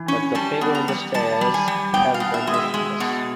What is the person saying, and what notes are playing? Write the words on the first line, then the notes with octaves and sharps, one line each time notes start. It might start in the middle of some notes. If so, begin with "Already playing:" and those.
But the figure on the stairs held them motionless.
Already playing: E3
C#4
G3 A5
B3
A#5
G3
G3 A5
G3
G#5
G3
B2 G5
F5
B2
E5
G#3
E5
G#3
B2